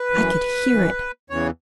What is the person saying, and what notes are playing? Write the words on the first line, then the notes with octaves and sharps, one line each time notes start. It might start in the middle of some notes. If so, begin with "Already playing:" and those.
I could hear it.
Already playing: B4
F#2 E3
F#2 E3
E2 C#3 E3 C#5